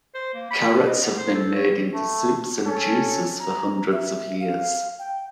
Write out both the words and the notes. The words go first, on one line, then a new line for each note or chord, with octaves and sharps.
Carrots have been made into soups and juices for hundreds of years.
C5
A#3
B5
D4
D#5
B3
C5
A4
C#5
A3
C#4 A4
A#5
E5
F5
G5